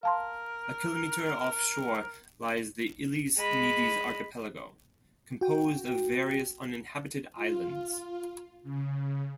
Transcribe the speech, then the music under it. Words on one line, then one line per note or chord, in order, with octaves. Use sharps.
A kilometre off shore lies the Illes Medes archipelago, composed of various uninhabited islands.
A#4 F5 A5 C6
G#3 B5
F#4 G5
F4
C#3